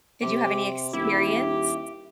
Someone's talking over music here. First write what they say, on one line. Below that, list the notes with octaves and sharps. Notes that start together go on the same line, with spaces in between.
Did you have any experience?
C3 G4
D#1 E4 G4